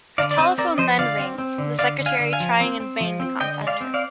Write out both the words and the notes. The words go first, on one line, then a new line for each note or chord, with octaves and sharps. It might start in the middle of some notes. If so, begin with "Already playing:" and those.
Her telephone then rings, the secretary trying in vain to contact her.
D3 D5 F5
D5
C4 C5 D#5
C4 A#4 D5
F3 C5 D#5
D3 D5 F5
C4
C4
D3
D3 D5 F5
D3
F5 G#5
D3
F5 G#5
F3
C4
C4
F3
C4
D3 D#5 G5
G#3
D5 F5
C4
D5 F5